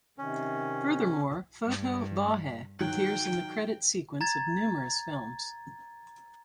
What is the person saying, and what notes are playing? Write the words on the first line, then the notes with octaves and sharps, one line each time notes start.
Furthermore Photo vahe appears in the credit sequence of numerous films.
C3 D#3 C#4
G2
D#3 F#3 G5 F#6
A#5 G#6 A6